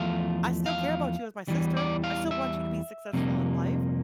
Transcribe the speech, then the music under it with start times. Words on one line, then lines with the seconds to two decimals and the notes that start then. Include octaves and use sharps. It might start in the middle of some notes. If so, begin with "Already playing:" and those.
"I still care about you as my sister. I still want you to be successful in life.
Already playing: E2 F3 A3 F5
0.66 F5
1.48 E2 E3 G3
1.77 D5
2.04 F5
2.31 E5
3.13 F2 C3 G3 A#3